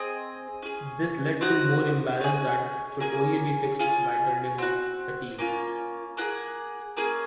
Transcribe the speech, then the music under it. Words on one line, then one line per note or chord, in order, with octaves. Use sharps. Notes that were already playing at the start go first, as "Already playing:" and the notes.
This led to more imbalance that could only be fixed by turning off fatigue.
Already playing: C4 G#4 D#5
C#4 G#4
C4 D#4 F#4 F#5
C#4 G#4
A#3 C#4 G#4 G#5
C#4 F4 G#4
C4 F#4
A#3 C#4 F4
A#3 F4 G#4 F#5
A#3 C#4 G#4